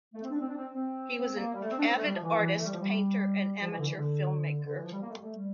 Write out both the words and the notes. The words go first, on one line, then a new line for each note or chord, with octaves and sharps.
He was an avid artist, painter, and amateur filmmaker.
A3
C4
D4
C4
D4
C4
C4
C4
A#3
G3
A3
C4
D4
C4
A3
G3
F3
E3
E3
A3
G3
F3
G3
F3
E3
D3
E3
D3
D3
E3
F3
G3
A#3
A3
G3
A3
G3